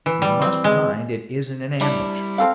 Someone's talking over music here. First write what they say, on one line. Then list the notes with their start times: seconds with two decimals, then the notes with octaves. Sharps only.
We must mind it isn't an ambush.
0.06 E3
0.22 G3
0.42 C4
0.64 G#3
1.81 G3 D4 E4
2.38 C4 A4 F5